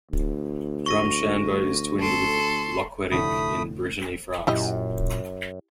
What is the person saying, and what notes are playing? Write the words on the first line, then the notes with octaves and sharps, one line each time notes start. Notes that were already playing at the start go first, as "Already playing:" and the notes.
Drumshanbo is twinned with Locquirec in Brittany, France.
D2
C#6 A#6 D#7
A4 C6
F1 D2 A2 A3 B5 D#6
F#2 A#2 E4 G4 D#5